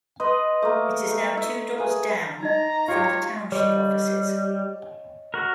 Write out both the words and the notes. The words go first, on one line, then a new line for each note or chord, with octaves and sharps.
It is now two doors down from the Township offices.
B4 D#5 C6
A3 A#3
A3
E5
G#4 B4
D#4 D#5 A#5
F4 G4 C#5
G3 C#5 D#5
F#4 A#4